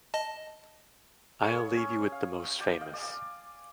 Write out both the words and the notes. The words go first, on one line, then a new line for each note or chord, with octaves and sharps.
I’ll leave you with the most famous.
D#5 A5
G#4 A4 C#5 F5
C#4 G#5
F5
D5 G5 A5
D#5 F5
D5 G#5